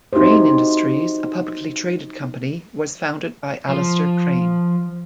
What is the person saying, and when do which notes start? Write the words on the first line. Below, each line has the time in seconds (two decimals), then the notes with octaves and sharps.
Crane Industries, a publicly traded company, was founded by Alistair Crane.
0.13 C4 D#4 E4 F#4 G4 C5
3.69 F3